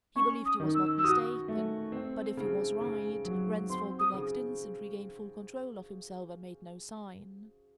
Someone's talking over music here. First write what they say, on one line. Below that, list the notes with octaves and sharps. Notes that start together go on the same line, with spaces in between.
He believed he was not mistaken--but if he was right, Ransford the next instant regained full control of himself and made no sign.
C#4 C#6
D#6
D#3
E6
E6
F#4 D#6
A3
C4
C#3
C#3
F#3
C4 C6
D#6
C#3